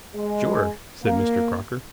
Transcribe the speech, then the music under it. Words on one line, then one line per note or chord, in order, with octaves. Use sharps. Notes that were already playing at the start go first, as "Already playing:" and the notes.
"Sure," said Mr. Crocker.
G#3
A#3